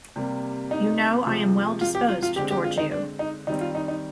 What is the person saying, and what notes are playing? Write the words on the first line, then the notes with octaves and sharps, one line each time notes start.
You know I am well-disposed towards you.
C3 G3 A#3
D#4
C3 F3 G#3 C4
F4
G4
F4
F4
D3 G#3 C4 G4
G4
F4
D#4
D4
D#4
D#3 G3 C4 D#4
F4
D#4
D#4